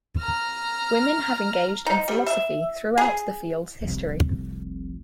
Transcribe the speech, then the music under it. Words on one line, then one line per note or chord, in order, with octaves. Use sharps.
Women have engaged in philosophy throughout the field's history.
A#5 F6
D#4
G3
E5
G#4
F1 C2 F2